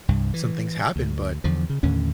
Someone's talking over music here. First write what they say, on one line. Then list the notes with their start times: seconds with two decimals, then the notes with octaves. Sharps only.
some things happen, but,
0.08 C2 G2
0.34 E3
0.96 D2
1.44 E2 D3 F3
1.70 C#3
1.83 D#2 A2 D3 C#4